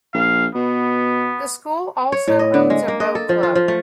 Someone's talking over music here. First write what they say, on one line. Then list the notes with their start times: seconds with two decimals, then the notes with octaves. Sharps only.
The school also owns a boat club.
0.14 A#1 F5
0.54 B2 B3
2.12 C#5
2.28 A2
2.39 D#5
2.54 D3
2.70 G#3
2.88 A#3
3.00 D#5
3.15 A4
3.29 F3
3.43 F4
3.55 F3
3.68 A3